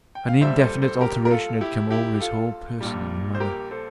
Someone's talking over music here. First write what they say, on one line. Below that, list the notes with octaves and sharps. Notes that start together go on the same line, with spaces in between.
An indefinite alteration had come over his whole person and manner.
G5
F5
A#1 A#2 G3 C5 E5
A4 C5
A4 C5
G4 A#4
A#4
F4 A4
E4 G4
E4 G4
G4
F4 A4
A#1 A#2 G3
C5
G4 A#4
A4 C5